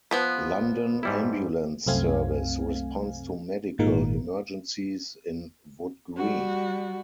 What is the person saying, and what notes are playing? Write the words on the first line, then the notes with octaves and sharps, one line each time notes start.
London Ambulance Service responds to medical emergencies in Wood Green.
F3 B3 B4
G#2 G3 E4
C2 F#2 A3 C4 F5 G#5
G#1 A#2 D#3 G#3 A#3 A#4
G3 F#4